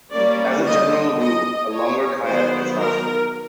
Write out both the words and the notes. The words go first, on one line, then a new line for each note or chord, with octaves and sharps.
As a general rule, a longer kayak is faster.
G3 A#3 C#4 D5
D#5
D#5
C#5
D#3 F#3 B3 C5
A#4